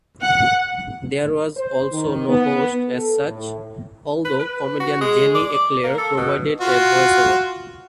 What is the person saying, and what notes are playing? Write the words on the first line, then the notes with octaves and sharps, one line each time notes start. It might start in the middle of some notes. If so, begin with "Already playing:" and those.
There was also no host as such, although comedian Jenny Eclair provided a voiceover.
F#5
C5
D#3
B3
A4
A2
B4
B4
F#4
G#3
D5
A#3
A4
B2
F4 F#4